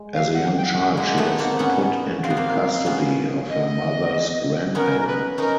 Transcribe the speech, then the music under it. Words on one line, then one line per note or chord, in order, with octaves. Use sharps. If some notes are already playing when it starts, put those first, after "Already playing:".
As a young child she was put into custody of her mother's grandparents.
Already playing: G#3
F5
F#5
G5
F#5
G#3 A#3 F#5
A3 B3
A#3 C4
B3 C#4
C4 F5
B3
A#3 C4
B3 C#4
D#5
B3 C#4 A#4
A#4
B4
C#4 D#4 A#4